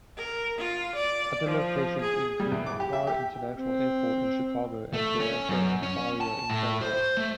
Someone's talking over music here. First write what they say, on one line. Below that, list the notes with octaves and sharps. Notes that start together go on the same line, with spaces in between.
Other locations included O'Hare International Airport in Chicago and Toronto, Ontario in Canada.
A#4
F4
D5
F3
G#4
G3
E2
D6
G4
E5
G4
C4
A3
C#4
F#2
C#4
A5
A2
C5
A3